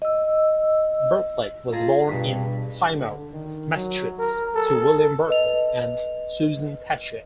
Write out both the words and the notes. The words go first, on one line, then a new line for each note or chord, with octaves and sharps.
Bartlett was born in Plymouth, Massachusetts, to William Bartlett and Susan Thacher.
D#5 E6
F4 G#4 A5 A#5
G2 B2 B6
D3
D#3
F#3
A#4
A4
B4 D#5 F7